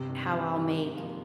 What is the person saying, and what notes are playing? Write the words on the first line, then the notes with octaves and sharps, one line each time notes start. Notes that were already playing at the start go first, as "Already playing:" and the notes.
how I'll make
Already playing: G1 C3
G2 D#3
G1
G2 D#3
G#2
F3 A#3 D#4